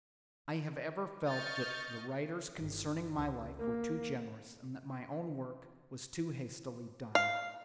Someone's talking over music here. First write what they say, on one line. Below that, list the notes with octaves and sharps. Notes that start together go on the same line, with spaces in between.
I have ever felt that the writers concerning my life were too generous and that my own work was too hastily done.
D#5 C#6 F6 G6 A6
G1
C#2
A#3
F5